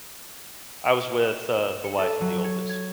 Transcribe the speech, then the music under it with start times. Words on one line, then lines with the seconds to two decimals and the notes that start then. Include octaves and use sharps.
I was with, uh, the wife and the oldest,
1.84 C#7
1.98 A4
2.21 F#3
2.44 C#5
2.69 G#6